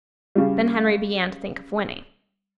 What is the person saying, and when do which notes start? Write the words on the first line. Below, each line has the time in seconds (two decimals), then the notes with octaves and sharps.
Then Henry began to think of winning.
0.35 C#3 G3